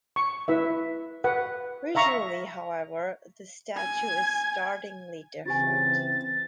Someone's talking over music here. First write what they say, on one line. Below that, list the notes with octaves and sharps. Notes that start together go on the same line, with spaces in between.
Visually, however, this statue is startlingly different.
C#6
E4 B4 E5
B4 F#5
E5 F5 A#5 C#6
G#5
C#3 E3 C4 F4 G4 G#5 A6